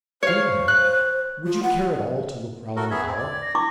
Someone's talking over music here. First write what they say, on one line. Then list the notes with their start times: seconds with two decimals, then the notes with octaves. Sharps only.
Being here, would you care at all to look round the Bower?'
0.23 C5 C#5 F5
0.68 F#6
1.47 F4
1.63 F#5
2.76 F#4 A4 A#4
2.91 B3 G#4 E5 G#6
3.07 C4
3.18 D5
3.42 A#6
3.55 E4 C#6 D6